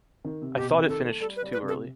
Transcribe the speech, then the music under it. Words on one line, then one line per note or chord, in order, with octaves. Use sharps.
I thought it finished too early.
D#3
C3
B2 G4
C3
D#3 A4
A3
G3 A4
B4
G3
B4
C3
A4